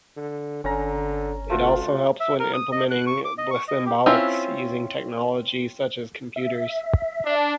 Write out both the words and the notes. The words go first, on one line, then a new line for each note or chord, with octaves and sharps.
It also helps when implementing Blissymbolics using technology such as computers.
D3
G1 D3 C#4 A#5
D2 A3 F4 F#4
E5
A#4
D#6
D#5
F#6
C#6
D6
D#5
C#6
D#5
G4
C4 C#4 E4 F4
E5
D4